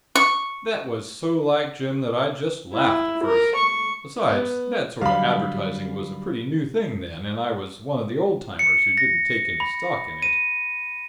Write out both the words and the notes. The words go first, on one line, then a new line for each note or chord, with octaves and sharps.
That was so like Jim that I just laughed at first; besides, that sort of advertising was a pretty new thing then, and I was one of the old-timers who didn't take any stock in it.
C#6
E4
A#4
C#6
B3
D3 F#3 G3 F5 B5
C#7
A#6
B5
D#7